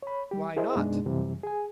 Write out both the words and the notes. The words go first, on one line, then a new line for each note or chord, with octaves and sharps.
Why not?
C#5 B5
G3 G4
E4 G#4 A#4 C5 D#5 E5
F#2 B2 G#3 B3 D4 D#4
F#2 C3 E3 G3
G#4 G#5